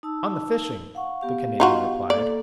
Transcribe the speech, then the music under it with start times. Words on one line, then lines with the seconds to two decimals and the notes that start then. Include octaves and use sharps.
"On the fishing," the Canadian replied.
0.03 D#4 A5 E6
0.95 F5 F#5 C#6
1.21 B3 G4 F5
1.60 D#4 F4 F#4
2.10 A#3 A4 D5